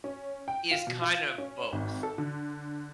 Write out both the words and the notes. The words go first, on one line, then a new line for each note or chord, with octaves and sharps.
is kinda both.
C#4
G5
F4
B2
F4
C#4
G#1
A4
D3